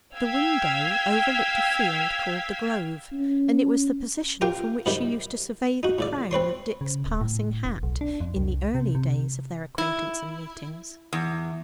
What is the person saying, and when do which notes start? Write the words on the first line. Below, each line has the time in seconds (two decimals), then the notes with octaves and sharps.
The window overlooked a field called the Grove, and it was the position from which she used to survey the crown of Dick's passing hat in the early days of their acquaintance and meetings.
0.15 F5 G5 E6 G#6 B6
3.12 C#4
4.41 F4 G4 A#4 F5 G5
4.86 G2 C3 D#3 G3
5.83 D#4 F#4
5.98 A2 C#3 D5
6.31 C4 B4 C#5 C6
6.81 C#3
7.06 D1
7.21 A2
7.65 E1
7.83 B1
8.01 D4
8.21 F2
8.36 C2
8.75 C3
8.95 C3
9.78 E4
11.13 E2